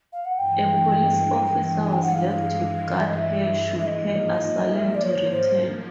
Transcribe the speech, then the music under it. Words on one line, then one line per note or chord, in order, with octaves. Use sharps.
A police officer was left to guard her, should her assailant return.
F5
F#5
G2 E3 G#3 G5
G#5
G5
F#5
F5
E5
D#5
E5
E5
G#2 F3 A#3 D#5
E5
D5
C#5
C5